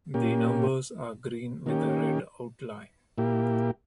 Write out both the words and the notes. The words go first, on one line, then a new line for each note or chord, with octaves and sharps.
The numbers are green with a red outline.
A#2 A#3 C#4 G4
D#3 A#3 C#4 G4
A#2 A#3 E4 G4